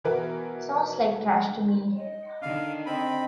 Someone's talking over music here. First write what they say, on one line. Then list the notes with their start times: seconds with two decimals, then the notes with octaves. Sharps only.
Sounds like trash to me!
0.04 B2 E3 B3 F#4 A#4 B4
1.97 D#5
2.42 D3 D#3 F5
2.86 C4 D#5 B5